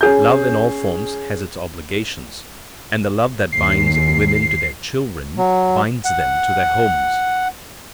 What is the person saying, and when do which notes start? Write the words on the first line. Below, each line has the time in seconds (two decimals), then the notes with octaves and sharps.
Love in all forms has its obligations, and the love that binds women to their children binds them to their homes.
0.01 C#4 G#4 G6
3.52 D#2 C7
5.38 F#3
6.05 F#5